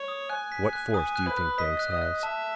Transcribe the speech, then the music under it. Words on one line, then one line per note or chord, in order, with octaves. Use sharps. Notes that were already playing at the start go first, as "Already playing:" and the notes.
"What force do you think Banks has?"
Already playing: C#5
D#6
G#5 F#6
B6
F#6
G#5 D#6
F#6
B4
F#6
D#5 B6
F#6
D#5
F#6
E5 A5